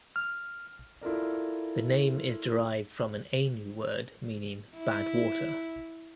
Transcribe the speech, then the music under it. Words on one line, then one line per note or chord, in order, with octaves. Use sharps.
The name is derived from an Ainu word meaning "Bad Water".
F6
E4 F4 A4 A#4 D5
E4